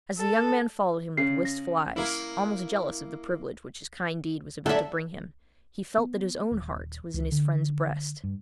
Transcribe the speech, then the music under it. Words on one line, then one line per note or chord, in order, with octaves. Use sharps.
As the young man followed him with wistful eyes--almost jealous of the privilege which his kind deed was about to bring him--he felt that his own heart was in his friend's breast.
A4
C#3 C7
A#6
A#3 E4
F#3 D4 A4 E5
B3
D#1
C#2
D3
G2